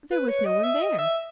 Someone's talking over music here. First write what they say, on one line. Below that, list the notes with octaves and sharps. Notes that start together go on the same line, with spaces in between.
There was no one there!
B4
C#5
D#5
E5
D#5
E5